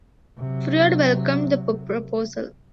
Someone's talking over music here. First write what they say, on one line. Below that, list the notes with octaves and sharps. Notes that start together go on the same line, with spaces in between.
Freud welcomed the proposal.
C3 F#3